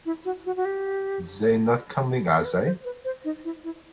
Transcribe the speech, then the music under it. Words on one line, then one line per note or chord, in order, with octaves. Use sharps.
They're not coming, are they?
E4
F#4
F#4
F#4
G4
A4
B4
C5
B4
C5
D#4
E4
E4